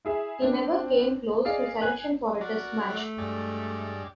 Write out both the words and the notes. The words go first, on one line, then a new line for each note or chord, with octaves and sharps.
He never came close to selection for a Test match.
E4 G#4 E5
C4 D4
G#4 D5 D#5 F5
G#5 F#6
F#4 A#4 D5
A3
G2 G#3 D5